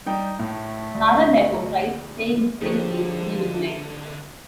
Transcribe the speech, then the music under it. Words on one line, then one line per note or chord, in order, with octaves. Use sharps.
Sara therefore tries staying in Springfield, to be with Ned.
G3 D#4 G5
A2 A3
D2
D3 F3 D#4 G4 G#4 C5 C#5